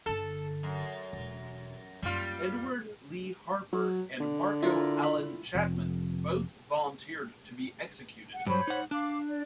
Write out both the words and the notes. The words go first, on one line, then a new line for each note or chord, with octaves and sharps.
Edward Lee Harper and Marco Allen Chapman both volunteered to be executed.
G1 D3 A4
F#2
E1
F#2 G3 A#3 F4
F#3
D3
E4 F4 A#4
B5
F1 F2
F#5
G2 F#3 C5 C#5 B5
D#4 F#5
D4 F5 D6
D5